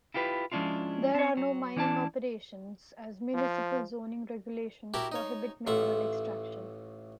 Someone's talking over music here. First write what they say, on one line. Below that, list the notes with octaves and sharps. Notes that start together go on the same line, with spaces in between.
There are no mining operations, as municipal zoning regulations prohibit mineral extraction.
E4 F4 G4 B4
F3 G#3 C#4 D4 E4 F4
C4 C#5
F#3
E3 C#4 E4 D5 F5 A5
F3
E4 F#4 G4 A#4 A5 B5
D#4 C#5
A1 A2 F4 E5 F#5